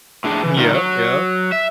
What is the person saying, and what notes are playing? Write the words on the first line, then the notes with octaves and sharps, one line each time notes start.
Mhm, yep, yep.
A2 D4 G#4
E3
A2 D3 D#3 D#4 F4
F#3
E5